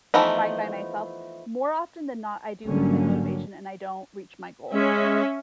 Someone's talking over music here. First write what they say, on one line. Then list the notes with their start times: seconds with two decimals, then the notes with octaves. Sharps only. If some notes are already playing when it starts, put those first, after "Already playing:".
trying by myself, more often than not, I do lose my motivation, and I don't reach my goal.
0.14 E3 F3 A3 B3 D#4
2.66 G#1 D3 F#3 G3 A#3 C#4
4.72 G#3 C#4 E5